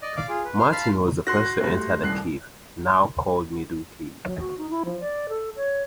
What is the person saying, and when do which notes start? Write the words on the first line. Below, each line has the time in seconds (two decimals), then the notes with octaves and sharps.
Martin was the first to enter the cave, now called Middle Cave.
0.02 D5 D#5
0.17 D5 F5 D6
0.29 F4 G#4
0.44 B4
0.59 C5 F6
0.72 F5 A5 B5 C6 F6
1.27 F#4 C6 F#6 A#6
1.60 G3 A3
2.03 D#1 C2 F#6 C7
4.25 F#3
4.39 F#4
4.58 D#4
4.71 E4
4.85 F3
5.00 D5
5.29 A4
5.56 C#5